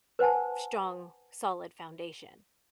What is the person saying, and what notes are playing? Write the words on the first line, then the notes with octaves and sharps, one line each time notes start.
strong, solid foundation.
B4 C5 F#5 G#5 A5